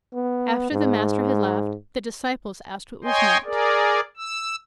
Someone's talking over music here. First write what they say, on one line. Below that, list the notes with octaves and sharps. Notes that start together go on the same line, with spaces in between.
After the Master had left, the disciples asked what was meant.
B3
G#2
C#5 D#5 G5 G#5 C6
G#4 A#4 D5
E6